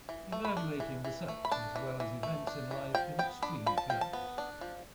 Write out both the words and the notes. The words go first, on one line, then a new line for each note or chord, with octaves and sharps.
Evaluating the self, as well as events in life in extreme terms.
E3
A3
B5
D4
E3
E3
A3
B5
D4 A5
E3
E3
A3
D4
E3
F3 G5
B3 G5
D4 B5
F3 B5
A5
F3 G5
A5
B3
D4
F3